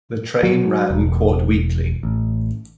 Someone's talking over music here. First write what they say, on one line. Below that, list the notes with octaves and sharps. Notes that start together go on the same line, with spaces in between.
The train ran quad-weekly.
F#3
E1
A1